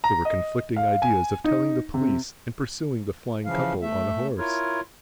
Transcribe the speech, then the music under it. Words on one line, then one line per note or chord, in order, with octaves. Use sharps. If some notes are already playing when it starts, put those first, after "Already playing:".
There were conflicting ideas of telling the police and pursuing the flying couple on a horse.
A#5
D#5
F5
G#5
D#4
C3
C#3 E3 F3 F5
A3 E5
E4 F4 A#4 C#5